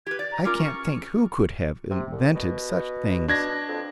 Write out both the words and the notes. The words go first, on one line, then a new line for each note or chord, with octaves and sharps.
I can't think who could have invented such things.
G4 B4 G#6
D5 A6
A#5
C#4 F4 A#4 D6
C#6
C3
C2
B2
B2 D4 G#6 A#6
F2